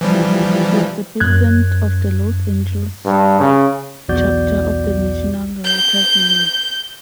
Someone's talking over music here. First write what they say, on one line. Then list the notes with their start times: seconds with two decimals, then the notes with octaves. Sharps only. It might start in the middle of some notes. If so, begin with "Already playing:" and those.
She was the president of the Los Angeles chapter of the National Writers Union.
0.01 E3 F3 G3
1.20 F#2 F#6 G#6
3.05 G2
3.40 C#3
4.09 B1 E2 F#4 D5 G6
5.65 G6